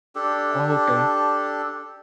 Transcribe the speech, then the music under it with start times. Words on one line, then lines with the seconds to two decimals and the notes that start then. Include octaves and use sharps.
Oh, okay.
0.15 D4 G4 A4